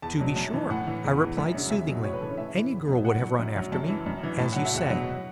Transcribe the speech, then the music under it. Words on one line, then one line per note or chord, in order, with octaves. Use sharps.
'To be sure,' I replied soothingly, 'any girl would have run after me, as you say.'
E2 A5
B2 F#3
F#2 A5
E3
A2 F#5
E3
E2
E3
F#2
C#3 F#3
E2 E5
B2 F#3
A2 C#5
B4
E3 A4
C#4
A2 E5
E3
E2
B2 F#3
A2 F#5
F#3
F#2
F#3
F#2 A5
E3
F#2
E3
A2 A5
F#3 F#5
E5
E2 F#5
B2 F#3